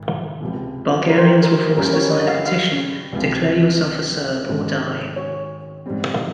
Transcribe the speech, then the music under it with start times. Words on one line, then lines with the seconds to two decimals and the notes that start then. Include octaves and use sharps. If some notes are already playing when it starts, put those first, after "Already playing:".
Bulgarians were forced to sign a petition Declare yourself a Serb or die.
Already playing: G#1
0.41 C#2 C3 F3
1.09 A#4
1.18 C5
1.26 A#4
1.43 A#4
1.77 G2 D#3 A#3 C#4 G4 A#4
1.93 C#5
2.10 D#5
2.28 F5
2.45 F5
3.12 C#2 C3 F3
4.48 G#1 G#2 D#3 G#3 C#4
5.16 C#5
5.86 G#2 G3 C4